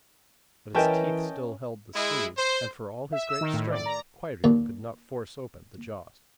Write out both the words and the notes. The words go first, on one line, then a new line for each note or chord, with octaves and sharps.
But its teeth still held the sleeve; and, for all his great strength, Kwairyo could not force open the jaws.
E3 C#4 A#4 B4 D#5 E5 G5 A5
G#3 E4
C5
E5
E6
D#3
A2
D5
A#5
D#2 A#2